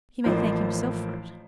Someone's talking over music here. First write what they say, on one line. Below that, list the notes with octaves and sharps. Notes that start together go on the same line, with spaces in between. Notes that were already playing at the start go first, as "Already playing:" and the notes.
"He may thank himself for it."
A1 A2 F3 A#3 C5